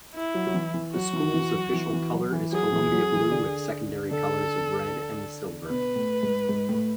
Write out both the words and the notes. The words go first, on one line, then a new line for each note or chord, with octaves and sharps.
The school's official color is Columbia blue with secondary colors of red and silver.
E4
F#3
F#3
E3
E3
F#3 F#4
E3
E3
F#3
E3
E3
F#3
E3
F#3 G#4
E3
F#3
E3
D3
D3 A4
B2 B4
A2
G#2
G#2
A2